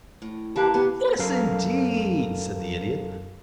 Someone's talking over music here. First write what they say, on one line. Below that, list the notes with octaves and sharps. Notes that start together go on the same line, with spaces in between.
"Yes, indeed," said the Idiot.
A2
E3 A#3 G4 B4 A5
C#3 B3 G4
F#2 A4 A#4 F5